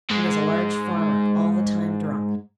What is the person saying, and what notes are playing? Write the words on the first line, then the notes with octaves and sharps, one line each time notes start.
He was a large farmer, all the time drunk.
G#2 G#3